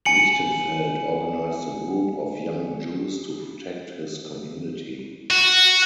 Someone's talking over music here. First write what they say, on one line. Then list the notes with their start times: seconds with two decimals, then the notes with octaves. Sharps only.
Lichtenfeld organized a group of young Jews to protect his community.
0.05 G#5 C#7 F#7
5.31 F#4